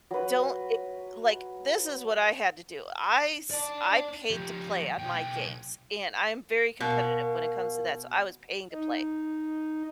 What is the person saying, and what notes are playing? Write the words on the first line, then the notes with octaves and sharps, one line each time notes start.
don't e like, this is what I had to do, I s I paid to play on my games, and I am very competitive when it comes to that, so, I was paying to play.
F#3 B4
D5 A5
F3 G4
B1 G5
B2 A#4 F5
D#4